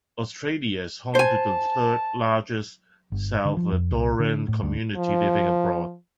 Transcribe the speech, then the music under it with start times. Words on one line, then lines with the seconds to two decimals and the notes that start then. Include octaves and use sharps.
Australia is home to the third largest Salvadoran community living abroad.
1.15 C5 G#5 A5
3.12 G1
3.45 D3
3.57 F3
3.72 F2
3.91 C2
4.20 D3
4.48 A2
4.63 D2
4.96 F3